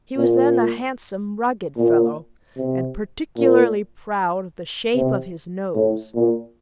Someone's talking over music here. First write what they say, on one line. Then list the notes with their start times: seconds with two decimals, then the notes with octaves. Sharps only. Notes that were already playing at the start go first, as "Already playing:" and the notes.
He was then a handsome, rugged fellow, and particularly proud of the shape of his nose.
0.17 A#2
1.77 A#2
2.56 C3
3.36 A#2
4.96 C3
5.75 A2
6.15 A#2